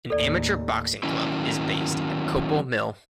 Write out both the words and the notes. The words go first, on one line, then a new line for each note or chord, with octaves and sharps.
An amateur boxing club is based at Coppull Mill.
D#2 A2 A4 D5
D#3 F#3 A#3 C#4 E4